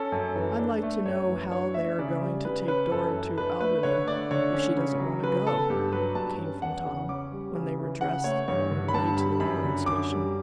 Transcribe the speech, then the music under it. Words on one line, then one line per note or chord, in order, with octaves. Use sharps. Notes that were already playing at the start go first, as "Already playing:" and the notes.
"I'd like to know how they are going to take Dora to Albany if she doesn't want to go?" came from Tom, when they were dressed and on their way to the railroad station.
Already playing: C#4 A4
F#2
E3
D4
A3
F#2 C#5
E3
D4 C#5
A3 E5
C#3 D5
G3
C#3 B4
C#4 B4
F#2 A4
E3
D4 B4
A3 B4
D3 C#5
A3 D5
D3 C#5
C#4
C#3
F#3
C#3 B4
B3 A4
G2 G4
F#3 B4
G2 A5
C#4
E2 F#5
C#3
C#4 D6
G3
C#3
E3
C#3 F#5
A3 C#5
G2 C#5
D3
B5
G2 A5
G3 B5
F#2 B5
D3
F#2 D6
G3